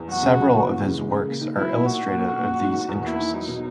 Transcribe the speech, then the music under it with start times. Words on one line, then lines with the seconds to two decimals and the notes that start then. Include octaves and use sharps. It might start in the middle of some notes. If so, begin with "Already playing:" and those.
Several of his works are illustrative of these interests.
Already playing: E2
0.08 F#3 F#4
0.22 C#3
0.37 F#3
0.52 A#2
0.68 E3
0.82 C#3
0.97 G#3
1.12 C#3
1.27 A#3
1.41 D#3
1.55 F#3 E4
1.70 A#2
1.86 A#3 F#4
2.01 A#2
2.16 A#3
2.30 A#2
2.45 F#3
2.60 G#2
2.74 D#3
2.89 E2
3.04 A#3 E4
3.19 D#3
3.34 F#3 D#4
3.48 B2